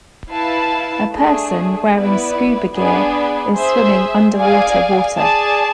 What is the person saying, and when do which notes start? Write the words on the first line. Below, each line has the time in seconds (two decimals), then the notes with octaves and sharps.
A person wearing scuba gear is swimming underwater water.
0.31 E4 B4 F5 A5
1.12 A3 D4 G#4
1.93 B3 E4 B4 D5
2.75 B3 D4 G#4 B4 D5
3.56 G#4 C5 E5
4.37 G#4 D5 F5 G#5
5.18 G#4 D5 A5